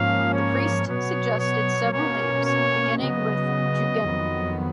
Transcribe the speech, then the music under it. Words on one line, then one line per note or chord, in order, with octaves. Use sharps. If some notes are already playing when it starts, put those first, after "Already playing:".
The priest suggested several names, beginning with "Jugemu".
Already playing: G#2 F3 A#3 C#4 F5
C#5
B2 F#3 B3 C#5
C#5
B2 A#3 C#4 C#5
C#5
C#3 F#3 B3 D#5
F2 D#3 F#3 B3